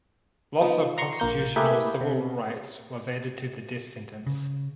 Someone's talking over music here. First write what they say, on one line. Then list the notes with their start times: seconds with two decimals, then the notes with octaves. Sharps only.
Loss of constitutional civil rights was added to the death sentence.
0.61 F3 B3 D#4
0.98 A#5 C6 C#6
1.20 A#1 A#3 G6
1.56 A3 A#3 E4 G4 G#4 B4
2.01 C3
4.26 C#3